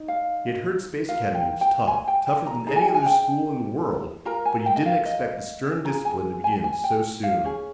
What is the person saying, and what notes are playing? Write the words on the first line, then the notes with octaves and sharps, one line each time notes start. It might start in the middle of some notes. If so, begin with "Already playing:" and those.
He had heard Space Academy was tough, tougher than any other school in the world, but he didn't expect the stern discipline to begin so soon.
Already playing: D#4
F5
F4 A#4 F5
G5
G5
G#5
G5
G5
A#5
D#4 G#4 A#5
G#5
G5
G#5
G5
F4 A#4 A#5
G#5
G5
D#5
F5
D#5
F4 G#4 A#5
G#5
G#5
G#5
G5
F5
C#4 G#4